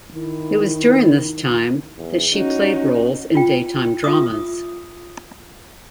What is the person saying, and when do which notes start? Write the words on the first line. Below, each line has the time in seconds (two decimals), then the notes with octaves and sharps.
It was during this time that she played roles in daytime dramas.
0.14 D#3 E4
1.97 E2
2.33 C#4 D#4 F#4
3.35 F4 G5
4.04 F4 E5 D6 D#6